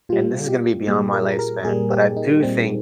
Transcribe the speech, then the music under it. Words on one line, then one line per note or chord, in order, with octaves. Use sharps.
and this is gonna be beyond my lifespan, but I do think
A#2 G3 F4
G4
A#2 G3 G#4
A#4
A#4
A#2 G3 G#4
G4
D#4
A#2 G3 C4